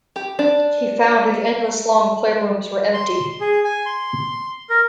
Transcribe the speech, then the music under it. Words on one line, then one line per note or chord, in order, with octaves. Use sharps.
He found the endless long playrooms were empty!
G4
D4
C6
G#4
G#5
C6
A#4